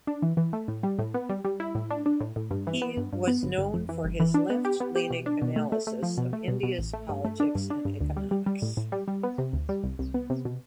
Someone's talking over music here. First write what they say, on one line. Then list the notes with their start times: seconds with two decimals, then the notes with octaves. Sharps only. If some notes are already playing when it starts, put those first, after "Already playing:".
He was known for his left-leaning analysis of India's politics and economics.
0.07 D4
0.22 E3
0.37 E3
0.53 A3
0.68 A2
0.83 G3
0.99 A2
1.14 B3
1.29 G3
1.45 G3
1.60 E4
1.75 A2
1.91 D4
2.06 D4
2.21 A2
2.36 A2
2.51 G2
2.67 E3
2.82 B3
2.97 G2
3.13 G2
3.27 B3
3.43 G1
3.58 G1
3.74 F2
3.89 E3
4.04 G1
4.20 E3
4.34 D4
4.50 B3
4.65 G4
4.80 B3
4.96 G4
5.10 B2
5.26 D4
5.42 B2
5.56 A3
5.72 A3
5.87 A3
6.03 F3
6.18 B2
6.33 A3
6.48 B2
6.63 B2
6.79 A1
6.93 A3
7.09 G2
7.25 A3
7.40 D4
7.55 G2
7.70 D4
7.85 G2
8.01 D2
8.17 G3
8.31 G3
8.46 G3
8.62 A2
8.77 A2
8.92 G3
9.08 G3
9.23 B3
9.38 C3
9.53 D2
9.69 G3
9.83 C2
9.99 C2
10.14 B3
10.30 C3
10.45 B2